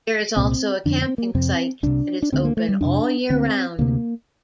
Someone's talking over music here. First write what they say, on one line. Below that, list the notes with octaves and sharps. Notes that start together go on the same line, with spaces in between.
There is also a camping site that is open all year round.
C2 A#2 C4
F2 D3 D4
C4
A#3
F2 C3 C4
C2 C3 D4
D4
D2 D3 C4
A#3
A3
G3
F2 C3 D4
D2 D3 C4
D2 C3 A#3